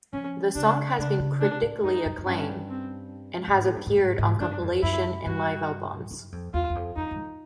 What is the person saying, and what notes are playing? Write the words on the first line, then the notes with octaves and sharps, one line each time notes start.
The song has seen critical acclaim and has appeared on compilation and live albums.
F3 C#4
C#3 D4
C#3 D4
C#3
C3 D4
A2
F#2 D#4
F#2
F#2
G2 C#4
C4
A2
G#2
A2
G2
G#2
G#2
G#2
G2 D4
F2
F#2 E4
G2 F#4
F#2
F2
E2 F4
E2
F2
F2 D#4
F2